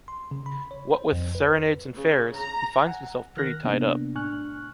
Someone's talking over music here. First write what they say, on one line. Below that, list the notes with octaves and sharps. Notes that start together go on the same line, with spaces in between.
What with serenades and fairs, he finds himself pretty tied-up.
C6
C#3
B5
C#5
C5
F2
B4
C#3
A#5
F#5 G#5
D#3 A#4 F6 F#6 A#6
C3 A#3 B3 D4
A2 D4 G#5 C#6 F6 F#6